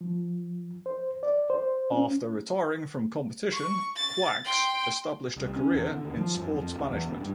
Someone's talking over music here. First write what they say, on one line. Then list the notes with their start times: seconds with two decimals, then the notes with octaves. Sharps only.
After retiring from competition, Quax established a career in sports management.
0.01 F3
0.86 C5
1.23 D5
1.50 C5
1.91 C#4
3.52 C#6
3.96 A6
4.44 G5 C6
5.36 C2
5.56 C#4
5.70 E2
5.92 D3
6.05 D#2
6.16 F3
6.36 F#2
6.56 F2
6.75 D1
6.89 E2
7.05 F#1
7.20 G2